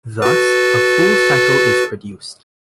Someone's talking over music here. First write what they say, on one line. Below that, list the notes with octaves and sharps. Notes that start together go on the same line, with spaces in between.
Thus, a full cycle is produced.
F#4 A4 B4